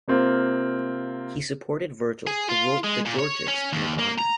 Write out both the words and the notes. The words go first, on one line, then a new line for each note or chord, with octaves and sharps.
He supported Virgil who wrote the "Georgics" in his honour.
C3 A#3 C4 F4
G#4
F4
G#3
A#2
C#5
C#4
D#2
A#3
A#5